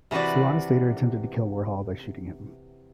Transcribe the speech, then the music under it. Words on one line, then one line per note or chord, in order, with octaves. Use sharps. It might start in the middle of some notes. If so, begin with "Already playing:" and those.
Solanas later attempted to kill Warhol by shooting him.
C3 E3 F#4 B4 D5